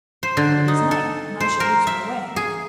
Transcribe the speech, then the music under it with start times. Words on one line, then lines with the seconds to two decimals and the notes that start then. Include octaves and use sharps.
"But it is night, and I shall lose my way."
0.23 C5
0.37 D3
0.68 D#4
0.91 A4
1.40 C5
1.60 A#4
1.87 E5
2.36 G#4